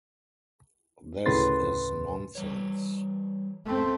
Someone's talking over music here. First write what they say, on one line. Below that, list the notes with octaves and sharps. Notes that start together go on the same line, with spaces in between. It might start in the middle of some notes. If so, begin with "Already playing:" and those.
This is nonsense.
D2 A2 C#3 B4 C6 A6
E3 G3 C#5
A3 C4